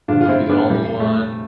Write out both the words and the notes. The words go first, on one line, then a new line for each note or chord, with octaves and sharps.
I'll be the only one
G2 D3 F3 D4 F4
F4
C4 E4
B3 D4
F2 C3 E3 G3
A3